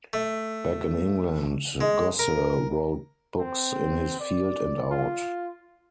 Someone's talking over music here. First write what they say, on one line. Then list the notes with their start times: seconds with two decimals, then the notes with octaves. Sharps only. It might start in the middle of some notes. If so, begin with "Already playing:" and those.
Back in England, Gosse wrote books in his field and out.
0.13 A3
1.81 G#3
2.19 A#4
3.39 C4
4.19 D5
4.91 F4